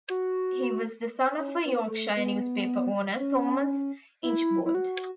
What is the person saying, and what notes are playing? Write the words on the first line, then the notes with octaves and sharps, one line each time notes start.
He was the son of a Yorkshire newspaper owner, Thomas Inchbold.
F#4
C#4
B3
A3
B3
C#4
E4
E4
F#4